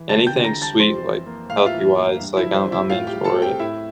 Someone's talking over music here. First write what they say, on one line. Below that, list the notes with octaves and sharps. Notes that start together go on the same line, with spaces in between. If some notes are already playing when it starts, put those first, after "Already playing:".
anything sweet, like, healthy-wise, like, I'm I'm in for it.
Already playing: E3
D2 A5 A6
G5 G6
D3
A#5 A#6
G3
A5 A6
F2 C5 C6
E3
A#3
A2 F5
E5
F4 F5
E3
A#3
G2
E4 E5
F3
C5
C4
E4 E5
A2 F4 F5
G4 G5
G3
A4 A5
C4
G4 G5
A2 E4 E5